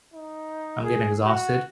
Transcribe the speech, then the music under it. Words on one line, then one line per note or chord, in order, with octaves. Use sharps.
I'm getting exhausted,
D#4
G#4
F#4